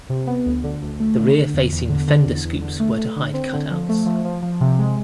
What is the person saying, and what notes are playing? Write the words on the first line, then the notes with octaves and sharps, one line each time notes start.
The rear-facing fender scoops were to hide cutouts.
C3
B3
D2
D3
D2
A3
D3
D3
E2
E2
D3
D3
E2
E2
D3
A3
A3
D3
C4
D3
F3
A3
F3
F3
F3
C3
G#3